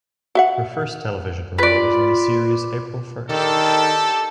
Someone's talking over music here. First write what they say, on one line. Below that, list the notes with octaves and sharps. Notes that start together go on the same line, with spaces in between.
Her first television role was in the series "April First".
F#4 E5 F#5
F4 B4 D5
D#3 D4 G4 A4